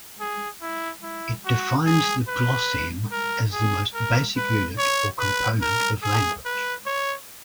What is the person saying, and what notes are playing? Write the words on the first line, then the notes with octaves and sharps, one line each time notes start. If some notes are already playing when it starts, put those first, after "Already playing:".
It defines the "glosseme" as the most basic unit or component of language.
G#4
E4
E4
F#4
G#4
B4
A#4
G#4
A#4
B4
C#5
B4
A#4
G#4
B4
C#5